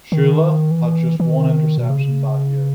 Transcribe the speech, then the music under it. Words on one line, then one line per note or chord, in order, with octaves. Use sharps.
Shula had just one interception that year.
D#3
E3
E3
D#3
B2
C#3